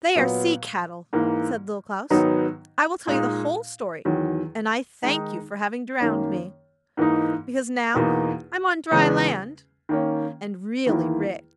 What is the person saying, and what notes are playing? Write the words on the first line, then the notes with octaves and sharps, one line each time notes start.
'They are sea-cattle!' said Little Klaus. 'I will tell you the whole story, and I thank you for having drowned me, because now I am on dry land and really rich!
A#2 F#3 B3
G#2 E3 A#3
G#2 D#3 F#3 B3 D#4
A#2 G#3 D#4
E2 D#3 F#3
D#3 G#3 D#4
F#2 D#3 A#3
G#2 E3 A#3 D#4
E2 B2 A#3 D#4
E2 C#3 G#3 B3
D#3 A#3 C#4
E2 D#3 A#3 E4